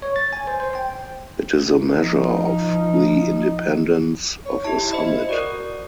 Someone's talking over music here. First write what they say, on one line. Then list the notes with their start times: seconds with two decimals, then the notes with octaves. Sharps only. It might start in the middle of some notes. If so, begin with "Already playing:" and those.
It is a measure of the independence of a summit.
0.02 C#5
0.16 A6
0.33 G#5
0.47 C5
0.60 C5
0.75 G5
1.94 F3 D#4
4.45 C#5
4.65 E4 G4 A5
4.91 C5 D#5 B5
5.29 F#4 A#4 D5